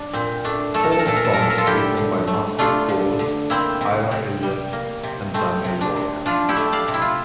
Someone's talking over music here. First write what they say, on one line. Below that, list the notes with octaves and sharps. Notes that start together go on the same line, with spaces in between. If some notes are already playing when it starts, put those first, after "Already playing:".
All songs written by Matthew Caws, Ira Elliot and Daniel Lorca.
Already playing: D4
A#2 C4
A3 D4
A3 A4
A#4
A4
A#4
A#2 A4
A#4
A4
A#2 A#4
A4
A#4
F4 A4
D3 E4 G4
D3
A3
A3 D4 F4
D3
D3
A#3 C4 E4
C3
C3
G3
A#3
C3
A3 C4
C3
D4
C3
F3 D4 F4
E4 G4
A3
D5 F5
C3
E4
F4